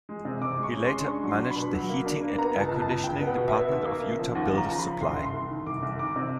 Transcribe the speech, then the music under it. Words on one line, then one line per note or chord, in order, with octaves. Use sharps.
He later managed the heating and air conditioning department of Utah Builders Supply.
G#3
C3
C3 D6
G#3
C#6
C#4
C6
G#3
D4 C#6
F#3 C#6
C6
D4
B5
B2
F#3
A#3
D4
A#3
B3 A#5
C#2
A5
C#2
A5
C#2
C#2 G5
B3
F#5
B2
E5
B3
D#2
A#3
C#3
F3
D#2 F#5
C#3
A#5
F3 A#5
B5
C#3
C2 C6
C2
C6
C2
D#3
C2 D6
C2
D#3 D6
C3